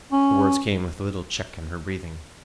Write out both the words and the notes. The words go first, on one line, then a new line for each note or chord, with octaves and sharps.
The words came with a little check in her breathing.
C#4